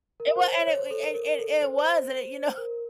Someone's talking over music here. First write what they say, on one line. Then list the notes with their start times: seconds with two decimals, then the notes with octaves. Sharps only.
It w an it we and and and it was, and it you know,
0.20 A#4
0.36 C5
0.52 C#5
0.67 C#5
0.79 C5
0.91 A4
1.03 A#4
1.14 A#4
1.39 A4
1.62 C5
2.57 A#4